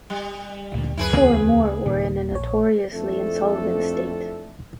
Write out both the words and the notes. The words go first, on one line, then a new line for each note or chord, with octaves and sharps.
Four more were in a notoriously insolvent state.
G3
D2 A#2 D3
F#2 E4 G#4 B4
E2 C#3 A#3 C4
D#1 A#2 D#3
A#1 C#5
F2 A3 C4 D4 E4 A4